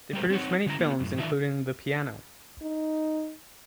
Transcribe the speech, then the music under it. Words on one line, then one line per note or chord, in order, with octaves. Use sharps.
They produced many films including "The Piano".
G3 G#3 G4 A#4 C5
C4 D#4 C#5 F#5
D3 C#4 E4 A#5
A#3 B3 F4
F#2 A2
D#3 E3 D4 D#4 F4 E5
D#4